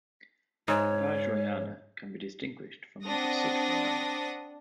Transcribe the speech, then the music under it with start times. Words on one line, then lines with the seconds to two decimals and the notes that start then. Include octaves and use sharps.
Vajrayana can be distinguished from the Sutrayana.
0.68 G#2 C#5
3.03 C4 D4 F#5 D#6 A#6